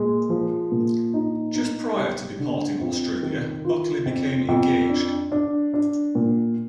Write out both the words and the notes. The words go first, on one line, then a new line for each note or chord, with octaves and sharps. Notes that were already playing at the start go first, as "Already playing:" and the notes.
Just prior to departing Australia, Buckley became engaged.
Already playing: A#2 G#3
F3
A#2
D#4
D#4
G3
D3
F2
D#3
F4
F2
F2
D4
D4
D4
A#2